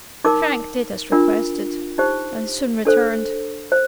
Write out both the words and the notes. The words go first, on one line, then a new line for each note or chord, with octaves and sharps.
Frank did as requested, and soon returned.
D#4 A#4 D6
D4 F4 A#4
D#4 G4 C5
D4 A4 C5
C5